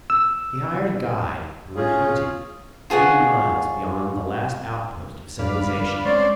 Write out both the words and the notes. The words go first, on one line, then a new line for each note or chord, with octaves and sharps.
He hired a guide and went hunting, eighty miles beyond the last outpost of civilization.
E6
C#4 F4 G#4
F4 G#4 C#5 F#5
F#2 F#3 G#3 D4 B4 F5
G1 G2
G#3 C4 C#4 C5 D5